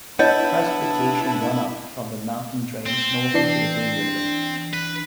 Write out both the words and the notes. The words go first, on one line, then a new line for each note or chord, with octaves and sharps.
Precipitation runoff from the mountain drains north into the Green River.
B3 D4 E4 C#5 D#5
C4
E3 D4 C7
B4